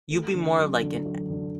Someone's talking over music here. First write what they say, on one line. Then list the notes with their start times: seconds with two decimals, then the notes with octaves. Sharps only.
you'll be more like an e
0.10 A3
0.35 D3
0.59 F#3
0.82 D3
1.06 F#3
1.30 D3